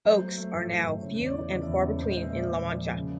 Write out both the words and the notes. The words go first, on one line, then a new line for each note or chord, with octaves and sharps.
Oaks are now few and far between in La Mancha.
F#3 C5
A3
A3
A2
A2
A2
C#3 C#5
E2 C#5
D5
E3
C#3 D#5
E2 E5
D5
C#3 C#5
A#2 C5
G#3 D#5
E5
A#2 D5
A#2 D5
F3
F3
C#3